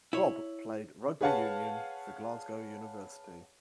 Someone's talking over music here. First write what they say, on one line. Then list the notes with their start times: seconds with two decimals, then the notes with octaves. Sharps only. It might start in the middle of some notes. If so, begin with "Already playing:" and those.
Robb played rugby union for Glasgow University.
0.13 E4 C#5
1.21 G#4 B4 C#5 F5 F#5 A5